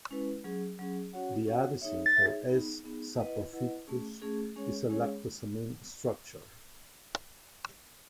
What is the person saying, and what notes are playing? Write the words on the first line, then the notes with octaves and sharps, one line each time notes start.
The adhesin for "S. saprophyticus" is a lactosamine structure.
G#3 C#4 E4 B4
F#3 C#4 G#4
F#3 C#4 G#4
C#4 F#4 C#5 F#5
C#4 F#4 C#5 F#5
D#4 G#4 C#5 E5
D#4 G#4 C#5 E5
B3 D#4 G#4
B3 D#4 G#4
E4 B4 D#5 F#5
E4 B4 D#5 F#5
A3 C#4 G#4
A3 C#4 G#4
G#3 C#4 G#4 C#5
G#3 C#4 G#4 C#5